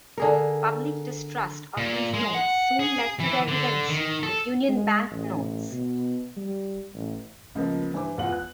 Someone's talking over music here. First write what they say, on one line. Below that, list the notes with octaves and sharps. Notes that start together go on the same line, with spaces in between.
Public distrust of these notes soon led to their redemption with Union Bank notes.
D3 G#4 A#4
A#2
G#3
F#5
G#4
E3
D3
D#3
A4
G#3
A1
B2
G3
A1
C#2 F3 A#3 B3
G2 E3 C5 D6
E1 E2 F4 B4 F#5 F#7
F#6